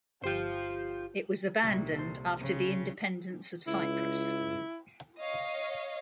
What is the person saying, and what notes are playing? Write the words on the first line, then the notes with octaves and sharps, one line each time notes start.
It was abandoned after the independence of Cyprus.
G1 F4 G4 C5 G6
C2 A#2 A#4
A4 C5
C#3
C#2 E4
C#5 D#5 F5